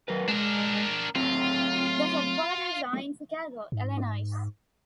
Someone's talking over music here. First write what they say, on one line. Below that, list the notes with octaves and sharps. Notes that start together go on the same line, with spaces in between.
The headquarters are in Chicago, Illinois.
F#3 A#4 B4
G#3 D4 A#4
F#3 A3 C4 F4
G#2